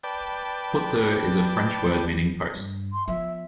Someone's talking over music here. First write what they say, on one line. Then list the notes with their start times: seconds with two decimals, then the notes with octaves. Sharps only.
"Poteau" is a French word meaning post.
0.03 B4 D5 G5 A5
2.55 G2
2.92 C6
3.08 F3 B3 E5